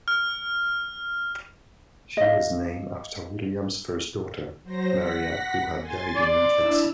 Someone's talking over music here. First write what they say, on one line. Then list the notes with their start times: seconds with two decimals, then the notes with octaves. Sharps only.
She was named after William's first daughter, Maria, who had died in infancy.
0.08 F6
2.17 D#5 F5
4.63 F#3 C5 A#6
4.94 F#5 A#6 B6
5.80 G#5 C6 A6
6.16 D5 C6
6.52 D4 E4 E6